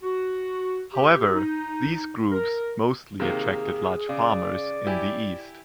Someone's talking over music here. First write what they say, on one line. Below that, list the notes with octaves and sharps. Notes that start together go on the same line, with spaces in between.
However, these groups mostly attracted large farmers in the east.
F#4
G4
D#4
A#4
C3 D#3 A#3 G#4
C#3 D5
E4 G4 G#5